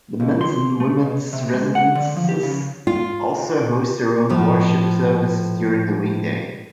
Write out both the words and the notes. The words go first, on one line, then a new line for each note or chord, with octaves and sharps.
The men's and women's residences also host their own worship services during the weekday.
C#2
C6
A3
B2
C3
G#3
F#5
D3
F3
G4
C#3
F4
A2 F3